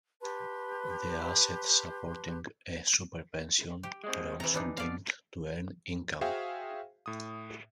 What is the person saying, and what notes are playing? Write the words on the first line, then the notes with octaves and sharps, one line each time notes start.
The assets supporting a "super pension" are also deemed to earn income.
G4 B4 A5 C6
G4
G#3 C4
C3 E3 A#5
E3 D4 D#4
B2 D5 F5
F#4 G#4 C5 E5 F5 G5
A2 D#6